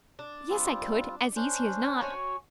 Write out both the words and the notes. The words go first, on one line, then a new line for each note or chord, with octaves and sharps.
"Yes, I could, as easy as not."
D4
G3 C4 F4
C#4 D4 C5
F#4 C#5 G#5